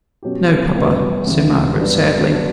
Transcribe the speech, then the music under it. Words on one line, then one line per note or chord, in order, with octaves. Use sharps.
'No, papa,' said Margaret, sadly.
B2 F#3 C#4 G4
A1 G2 E3 B3
D2 C#3 E3 B3
G2 F#3 B3 D4
F#3 B3 D4